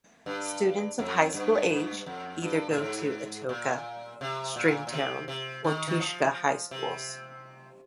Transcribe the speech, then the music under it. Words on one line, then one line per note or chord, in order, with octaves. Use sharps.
Students of high school age either go to Atoka, Stringtown, or Tushka High Schools.
G2
F2
G2
G2
F2
G2
A#2
G#2
A#2
C3
A#2
A#2
C3
C3
D#3
D#3
F3
C3